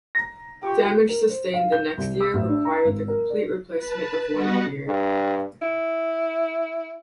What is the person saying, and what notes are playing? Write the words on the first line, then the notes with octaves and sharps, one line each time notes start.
Damage sustained the next year required the complete replacement of one pier.
A#5 A#6
F4 G4 C#6 D6
A#4
C5
F5
G6
C2
E6
A1
D4
A#5
G#1
A#4
D5
B4 A5
G3 B3 F#4 B4 D#5 F#5
G2
E4